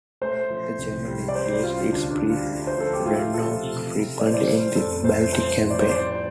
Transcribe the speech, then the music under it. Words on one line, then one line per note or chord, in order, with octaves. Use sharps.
The German navy used its pre-dreadnoughts frequently in the Baltic campaign.
A3 C5
F3
C2
G3
D5
G3 C5
G3 F4
F4
D2 D4
D4
G3
F4
A3
C5
F3 A4
G4
A3 F4
F3 A4
C3
F3
A2 D5
C5
D5
G3 C5
F2 A4
A3 C5
F3 C5
A2
D5
C5
G3 D5